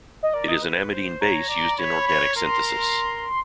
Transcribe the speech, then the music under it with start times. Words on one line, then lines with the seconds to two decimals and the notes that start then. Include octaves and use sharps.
It is an amidine base used in organic synthesis.
0.23 D#5
0.34 A#4 D5
0.48 D#5
0.62 B4
0.92 C5
1.21 C#5 A#5
1.49 D5
1.78 C#5 B5
2.07 C#5
2.36 A#4 C6